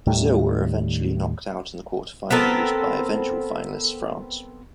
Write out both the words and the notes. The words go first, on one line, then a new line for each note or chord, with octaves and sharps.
Brazil were eventually knocked out in the quarter-finals by eventual finalists France.
D#2 A2 D#3 G3
B3 C4 A4 A#4